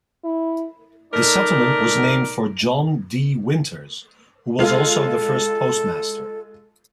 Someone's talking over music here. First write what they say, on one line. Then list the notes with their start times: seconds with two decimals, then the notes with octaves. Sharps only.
The settlement was named for John D. Winters, who was also the first postmaster.
0.24 E4
1.13 A3 D#4 A#4 D5
4.59 G#3 F4 A4 F5